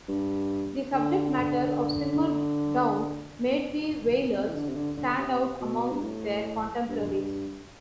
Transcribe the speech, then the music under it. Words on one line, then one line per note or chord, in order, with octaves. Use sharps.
The subject matter of "Simmer Down" made The Wailers stand out amongst their contemporaries.
G2
D3
C3
E3
D3
C3
D3
D3
C3
B2
G2
A2
G2